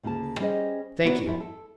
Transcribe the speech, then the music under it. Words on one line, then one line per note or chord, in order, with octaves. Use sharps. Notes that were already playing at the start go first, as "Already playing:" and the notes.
"Thank you."
D2 C#3 A#3 F4 A5
G3 C#4 G#4 C5 D#5
B3 E4 F#4 A#4 C#5 D5
F#2 E3 F3 E4
A4